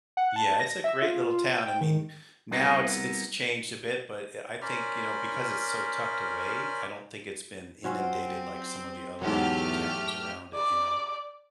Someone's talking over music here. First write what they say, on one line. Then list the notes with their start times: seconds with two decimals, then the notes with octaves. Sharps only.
Yeah. It's a great little town. I mean, now it's it's changed a bit, but, yeah, I think, you know, because it's so tucked away, I don't think it's been inundated like some of the other towns around it, you know.
0.17 F#5
0.36 A5
0.60 A#6
0.84 E5
1.02 F4
1.57 G5
1.81 D#3
2.51 G3 B3 C4 E4 A#4 F#5
4.62 C#4 A#4 C5 D5 B5 F6
7.84 F#3 C4 C#4 F4
9.21 E2 G#2 F#3 A3 G4 F6
10.55 D5